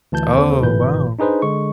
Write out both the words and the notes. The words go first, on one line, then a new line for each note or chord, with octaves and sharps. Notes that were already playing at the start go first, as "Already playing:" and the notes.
Oh, wow.
D2 E3 A5 G6
D#2 C4 A4 C5
G1 G#2 B2 E3 B4 G6
D4 D#4 G#4 B4 C5
D3 G#3 C#6